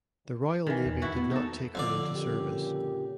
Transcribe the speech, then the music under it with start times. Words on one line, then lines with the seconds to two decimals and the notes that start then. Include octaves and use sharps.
The Royal Navy did not take her into service.
0.67 D#3 E3
0.86 E2
1.02 E4 F#4
1.17 B3
1.31 D#4 A4
1.75 F2 D3 D5
2.16 A#2 C#3 G4